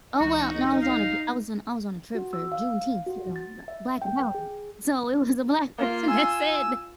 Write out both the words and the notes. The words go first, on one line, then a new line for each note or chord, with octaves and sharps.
Oh, well, no, I was on a I was on I was on a trip for Juneteenth, you know, "the black empowerment," so, it was a black person that said th
C#2 E3 D#4 F#4
F5
F#4
E6
F5
F#4
A6
E5
G5
G#4
A#3 F4
G#5 E6